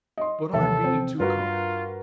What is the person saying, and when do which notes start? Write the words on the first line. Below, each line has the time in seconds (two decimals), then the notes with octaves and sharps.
But I'm being too kind.
0.18 D#5 C6
0.53 D#2 C3 E3 F3 A4 E5
0.84 C4
1.20 G2 F4 F#4 A#4 B4